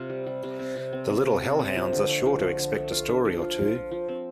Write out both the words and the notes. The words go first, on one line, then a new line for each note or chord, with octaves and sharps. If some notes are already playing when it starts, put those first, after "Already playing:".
The little hell hounds are sure to expect a story or two.
Already playing: C3 F4
G3
G3
C3
C4
C3
C4
C4
C3
C4
C3
F3
D3
A3
F3
D3
D3
A3
F4
D4
F3
F4
F4
F3
F3
C4